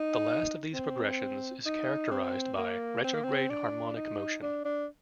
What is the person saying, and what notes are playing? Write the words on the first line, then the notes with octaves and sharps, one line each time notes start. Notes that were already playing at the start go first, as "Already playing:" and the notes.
The last of these progressions is characterized by "retrograde" harmonic motion.
Already playing: D#4
C4
D#4
C4
A#3
C4
A#3
C4
D4
D#4
D4
D4